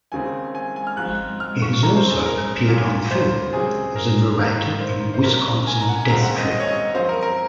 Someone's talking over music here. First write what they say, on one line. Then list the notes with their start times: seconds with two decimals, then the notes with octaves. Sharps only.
He has also appeared on film, as a narrator in Wisconsin Death Trip.
0.12 D#2 C#3 G#3 C4 G#5
0.55 G#5
0.76 G#5
0.87 F6
0.97 G#2 F3 C4 F#6
1.40 F6
1.62 C#6
1.83 C#2 C3 F#3 A#5
1.97 C5
2.11 G#4
2.26 A#4
2.68 A#2 F#3 A#3
3.11 C5
3.53 C#2 C3 F#3 C4 G#4
3.96 A#4
4.38 D#2 D#3 A#3 A#4
4.81 C5
5.14 C5
5.24 C#2 C3 F#3 A#4
5.67 G#5
5.81 A#5
5.89 F#5
5.96 G#5
6.09 D#2 C#3 G#3 C4 A#5
6.24 F#5
6.38 D#5
6.51 D#5
6.60 C#5
6.68 D#5
6.94 F#2 F3 C4 C5
7.09 A#4
7.22 A#4